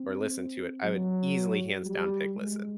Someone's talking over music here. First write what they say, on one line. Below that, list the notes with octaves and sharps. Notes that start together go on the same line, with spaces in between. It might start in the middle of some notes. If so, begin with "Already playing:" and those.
or listen to it, I would easily hands down pick listen.
Already playing: C4
F#3
G3
G#3